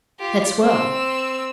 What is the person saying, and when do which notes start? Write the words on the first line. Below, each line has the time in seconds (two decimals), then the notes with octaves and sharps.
"That's well."
0.20 F4 G4
0.60 C4 E6